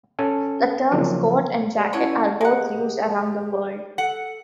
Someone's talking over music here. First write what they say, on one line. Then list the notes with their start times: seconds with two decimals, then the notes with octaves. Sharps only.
The terms "coat" and "jacket" are both used around the world.
0.19 C#4 A4 G#5
0.91 C#3 F3 F#3 A#3 C4 C#4
1.74 G4 D5
1.93 D3 C#4 E4 C#5
2.41 G#3 G4 G#4 F#5
3.98 A4 F#5